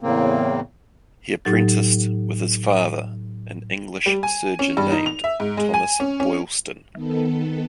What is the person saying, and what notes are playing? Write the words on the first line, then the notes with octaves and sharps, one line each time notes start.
He apprenticed with his father, an English surgeon named Thomas Boylston.
E2 A2 C#3 A#3 C4
A2 F#3 D#4 G4 A6
G3
G#5
C#4
G2
D#4
F7
E5
G#2
G#3
G#5
C#4
C#4
D#3 B3 A4